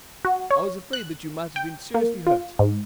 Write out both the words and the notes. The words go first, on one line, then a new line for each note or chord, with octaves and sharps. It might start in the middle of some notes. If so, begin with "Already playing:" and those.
I was afraid that you might have been seriously hurt.
F#4
C#5
F#6
G5
A#3
F4
G#2